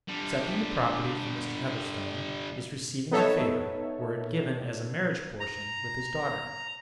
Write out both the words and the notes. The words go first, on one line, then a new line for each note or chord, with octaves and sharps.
Accepting the property from Mr. Heatherstone is receiving a favor were it given as a marriage portion with his daughter.
D3 G3
B3 D#4 A4 C#5 E5
A#5